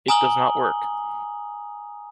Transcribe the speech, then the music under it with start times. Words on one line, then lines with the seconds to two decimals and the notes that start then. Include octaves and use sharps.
It does not work.
0.08 G#5 A#5 D#6 F6 F#7 G7